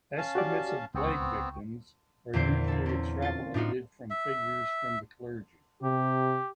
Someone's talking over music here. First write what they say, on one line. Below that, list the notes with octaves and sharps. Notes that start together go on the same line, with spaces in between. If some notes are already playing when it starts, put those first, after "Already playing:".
Estimates of plague victims are usually extrapolated from figures from the clergy.
C#4 F5 A5
F#4 G4 D5
C#2 B3 C4 G5 C#6
E2 A#2 D3 C5 C7 D7
A#3 A4
C4 C#4
F4 A6
A2 D4 D#4 F4 F#4
E5
C3 G4